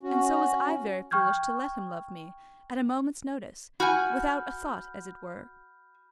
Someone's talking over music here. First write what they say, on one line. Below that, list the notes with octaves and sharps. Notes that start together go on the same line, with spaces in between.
And so was I very foolish to let him love me, at a moment's notice,--without a thought as it were.
C#4 F#4
G5 C#6 F6 G6 G#6
F#4 G#5 B5 F6 G6